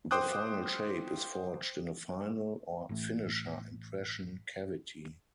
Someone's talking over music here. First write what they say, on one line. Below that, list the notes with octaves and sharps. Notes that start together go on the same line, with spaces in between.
The final shape is forged in a "final" or "finisher" impression cavity.
C5 G5 D6 D#6 F#6
A1 A2